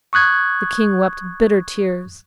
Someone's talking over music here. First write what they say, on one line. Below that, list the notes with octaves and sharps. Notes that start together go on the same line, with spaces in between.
The King wept bitter tears.
C#6 D#6 F#6 G#6